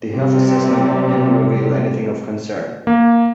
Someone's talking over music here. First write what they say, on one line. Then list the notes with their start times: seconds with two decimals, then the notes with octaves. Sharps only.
The health assessment didn't reveal anything of concern.
0.13 C3 G3
2.87 A#3